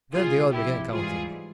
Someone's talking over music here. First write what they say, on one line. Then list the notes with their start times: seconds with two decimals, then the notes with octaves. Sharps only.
Then they all began counting.
0.13 C#2 C3 G3 F4 G#4
0.52 C2 C3 F3 E4 G4
0.91 G#2 E3 G3 F4 G#4